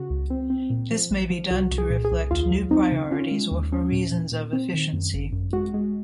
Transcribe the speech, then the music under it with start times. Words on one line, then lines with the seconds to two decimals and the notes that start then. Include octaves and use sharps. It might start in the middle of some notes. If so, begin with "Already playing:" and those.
This may be done to reflect new priorities or for reasons of efficiency.
Already playing: C#3 F#4
0.10 C#2
0.30 C4
0.50 C4
0.70 A#2
0.90 F3
1.10 A#1
1.30 F3
1.51 C2 F#4
1.71 C2
1.78 G#4
1.90 A#2
2.05 G#4
2.11 C2
2.31 D#2 F4
2.51 F#3
2.71 C4 D#4
2.92 C#3
3.11 C#4 F4
3.31 G#3
3.51 D#2
3.72 C#4
3.92 A#2
4.12 A#2
4.32 A#2
4.53 C4
4.73 D#3
4.93 F#2
5.14 G#1
5.33 F#2
5.53 G#3 F#4
5.74 G#3